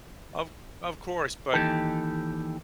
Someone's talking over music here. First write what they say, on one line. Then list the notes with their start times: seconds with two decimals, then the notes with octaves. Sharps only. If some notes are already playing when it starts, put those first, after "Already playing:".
Of of course but
1.53 D#2 C3 E3 D#4 G4 A4